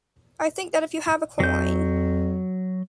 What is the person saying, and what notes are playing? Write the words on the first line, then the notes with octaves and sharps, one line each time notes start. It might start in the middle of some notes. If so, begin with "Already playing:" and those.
I think that if you have a coin.
F2 F#3 G6